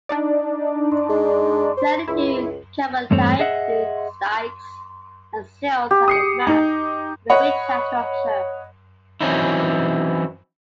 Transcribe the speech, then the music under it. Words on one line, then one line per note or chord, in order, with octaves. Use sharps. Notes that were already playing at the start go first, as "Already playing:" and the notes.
Thirty-two carbonatite dikes and sills have been mapped within the Richat Structure.
D4 D#4 D5
G#3
C5
C#2 E4
E2 G2 A3 C4 C#5
G#4 D#5 E5 F#5
G4
D#6 C7 C#7
D#4
C#5 D#5 F#5 B5
E3 F#3 C4 C#4 D#4 E4